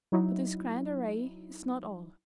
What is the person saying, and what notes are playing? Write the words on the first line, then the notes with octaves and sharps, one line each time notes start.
But this grand array is not all.
F#3 D#4 E4